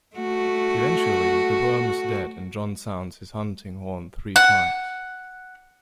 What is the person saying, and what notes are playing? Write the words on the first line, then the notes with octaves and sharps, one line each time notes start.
Eventually, the worm is dead and John sounds his hunting horn three times.
A3 F#4
F#5